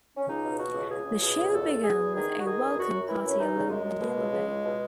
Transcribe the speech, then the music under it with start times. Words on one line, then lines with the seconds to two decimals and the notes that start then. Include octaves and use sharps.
The show began with a welcome party along Manila Bay.
0.17 C#4
0.28 C#2 D#4
0.44 B2
0.58 B2 F#4
0.74 C#2
0.90 C#2 G#4
1.05 C#2
1.21 B2 G#4
1.36 C#2
1.53 E2 A4
1.68 E2
1.84 E2 G#4
1.98 E2
2.14 D#3 G#4
2.30 D#3
2.39 F#4
2.46 D#3 G#4
2.61 E2
2.76 F#2 F#4
2.92 F#2
3.04 F#4
3.09 E3 E4
3.24 F#2 C#4
3.39 E3 D#4
3.55 C#3
3.70 F#2 G#3
3.85 F#2
4.01 B2
4.17 C#2
4.32 C#2
4.47 C#2
4.64 B2